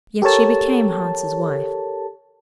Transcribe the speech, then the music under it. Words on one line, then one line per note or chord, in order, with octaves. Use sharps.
Yet she became Hans' wife.
G4 A4 A#4 C#5 A5